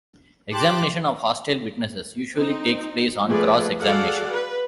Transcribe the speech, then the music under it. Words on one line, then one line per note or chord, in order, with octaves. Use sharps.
Examination of hostile witnesses usually takes place on cross-examination.
G4 A5 C6 D6 F#6
C4 D#4
F3 A3 B3 G#4 B4 D5
F#4 G#4 A4 D5 F5 F#5
B4